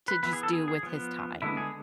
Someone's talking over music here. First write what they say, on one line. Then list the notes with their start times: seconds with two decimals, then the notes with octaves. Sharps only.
to just do with his time.
0.08 B4
0.23 E3 B3 B4
0.33 G#4
0.43 A4
0.53 G#4
0.68 G#4
0.83 F3 B3
1.42 D3 G#3 B3 E4
1.57 G#4